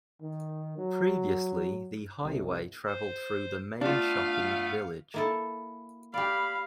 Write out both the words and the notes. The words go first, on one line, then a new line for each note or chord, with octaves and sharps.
Previously the highway travelled through the main shopping village.
D#3
F#3
C2
C5
A3 B3 D4 F4 F5
A#3 E4 A4
G4 D5 F5 B5